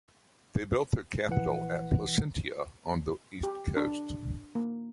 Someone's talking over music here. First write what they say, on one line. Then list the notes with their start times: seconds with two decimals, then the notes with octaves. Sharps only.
They built their capital at Placentia on the east coast.
1.30 A#1 E3 F#5
3.43 G4
3.77 D4
4.55 A#3